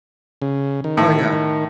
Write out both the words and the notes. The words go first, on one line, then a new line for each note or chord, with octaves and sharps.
Oh, yeah.
C#3
D#3
A2